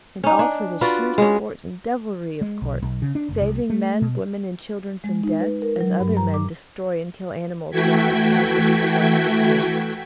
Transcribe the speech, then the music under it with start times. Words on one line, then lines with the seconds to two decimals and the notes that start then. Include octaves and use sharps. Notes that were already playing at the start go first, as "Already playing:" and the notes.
And all for the sheer sport and devilry of course!--saving men, women and children from death, as other men destroy and kill animals for the excitement, the love of the thing.
0.24 C#4 D#4
0.39 D4
0.81 F4 F#4 B4 D5
1.18 G#3 C#4
2.41 G#3
2.62 B1
2.82 B1
3.02 C#3
3.15 D4
3.29 F#1
3.42 C2
3.70 A3
4.02 B2
5.04 G#3
5.23 D#4
5.40 B4
5.62 A#4
5.81 F#3
6.00 G2
6.17 A#5
6.34 D6
7.70 E3 A3 F#4 G5 G#6 B6